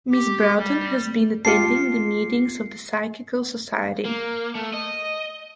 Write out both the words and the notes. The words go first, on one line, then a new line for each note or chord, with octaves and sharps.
Miss Broughton has been attending the meetings of the Psychical Society.
G4
G3
F4 G4 A5 C7 C#7
A#3
A3
D#5